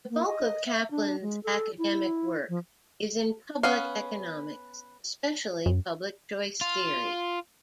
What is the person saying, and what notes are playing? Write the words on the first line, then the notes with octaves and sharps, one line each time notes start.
The bulk of Caplan's academic work is in public economics, especially public choice theory.
A#3
D#5
E5
D4
G#3
A4
E4
F3
B3 C#4 F5
F#2
F4